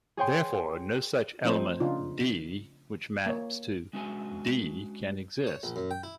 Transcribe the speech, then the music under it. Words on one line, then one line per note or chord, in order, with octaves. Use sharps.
Therefore, no such element "d" which maps to "D" can exist.
G#4 C#5 G5 C6
F3 A3 C4 D#4 A4 C5
C#3 D4 D#4 F4
A#3 C#5
G#3 C#4 D4 F#4 B4 G#5
C#5
A#1
F#2
G5
E4